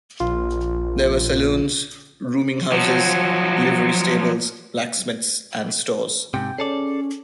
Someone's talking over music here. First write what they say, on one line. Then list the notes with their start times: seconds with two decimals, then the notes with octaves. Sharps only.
There were saloons, rooming houses, livery stables, blacksmiths and stores.
0.20 A#1 F4
2.72 F3 F#3
6.34 G#2 C3 G5
6.58 C#4 G#4 A4 D5